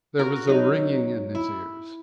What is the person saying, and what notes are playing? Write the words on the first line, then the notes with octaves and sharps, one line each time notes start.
There was a ringing in his ears.
F#4 A#4
F#3 D#4
E4